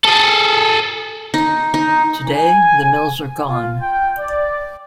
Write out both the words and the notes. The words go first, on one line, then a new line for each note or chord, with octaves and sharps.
Today, the mills are gone.
G#4 A4
D#4
D#4
G#5
F4
G5
D5